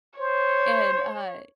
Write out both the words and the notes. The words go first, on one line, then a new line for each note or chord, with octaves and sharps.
and, uh
C5 C#5